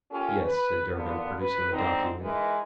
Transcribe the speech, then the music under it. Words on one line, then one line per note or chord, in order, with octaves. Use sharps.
"Yes," said Durham, producing the document.
A#3 C#4 F4 G4 A4
B4
A#2 D3 B3
B4
G#2 D3 C4 D#4
E3 G#3 D#4 A#4 B4